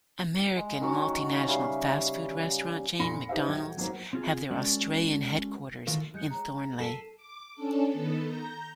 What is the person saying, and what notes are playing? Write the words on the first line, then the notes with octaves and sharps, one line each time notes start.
American multinational fast food restaurant chain McDonald's have their Australian headquarters in Thornleigh.
G#3
D#3 F#3 C#4
F#5
C#3 G3 E5 F5
F1 A#2 B5 C6 A#6 C#7
B5
D#4 G4 B4 C5 E5 F5
D#1 F#3 G5 G#6
G#2 F#3 A#3 C4
C4 F4 G#4
G#3 C#4 F#4 A4 D5
D#3 E3 A3 F4 A#4
G#3 F#6 G6 C#7
C#5 A#5
A4 B6 C7 D#7
D6
C#4 D4 A4
D#3 B3 A4
A#5 G6